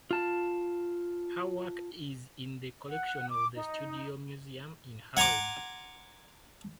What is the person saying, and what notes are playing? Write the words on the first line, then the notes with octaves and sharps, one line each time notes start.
Her work is in the collection of the Studio Museum in Harlem.
F4 A5
F#5
D6
D#4
F#5 G#5 A#5 C6 D6